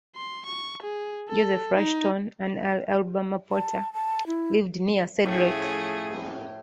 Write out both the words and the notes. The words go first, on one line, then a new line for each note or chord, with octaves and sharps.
Joseph Rushton, an early Alabama potter, lived near Cedric.
C6
C#6
G#4
A4
D#4
A5
A5
E4
A2 F3 A3 C#4 G#4